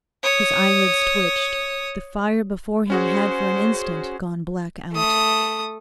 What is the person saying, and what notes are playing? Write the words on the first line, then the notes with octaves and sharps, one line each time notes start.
His eyelids twitched; the fire before him had for an instant gone black out.
C#5 D#6
C#4 F#4 G#4 C5
A3 D#6